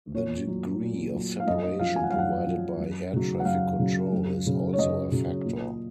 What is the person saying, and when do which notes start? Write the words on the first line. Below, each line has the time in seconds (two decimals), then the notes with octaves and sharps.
The degree of separation provided by air traffic control is also a factor.
0.14 A#2 C#5
0.47 F#3
0.81 A#2
1.14 F#3
1.40 F5
1.46 F#2 D#5
1.63 D#5
1.79 F3 F5
1.96 G#5
2.03 F#5
2.10 F5
2.13 F#2
2.19 F#5
2.47 F3
2.80 F#2
3.13 C#3 F#3
3.40 F#5
3.45 F#2 F5
3.79 C#3 F#3
4.12 F#2
4.45 C#3 F#3
4.73 C#5
4.78 F#2 D#5
5.12 C#3 F#3
5.45 A#2